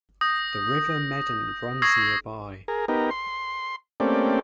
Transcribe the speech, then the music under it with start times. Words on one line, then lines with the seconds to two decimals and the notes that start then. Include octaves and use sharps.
The River Meden runs nearby.
0.21 D#6 G6 A#6
1.82 C#6 D#6 E6 G#6 A#6 C7
2.68 G#4 A#4
2.88 B3 D#4 G4 A#4
3.11 C6
4.00 A3 A#3 C4 C#4 G4 D5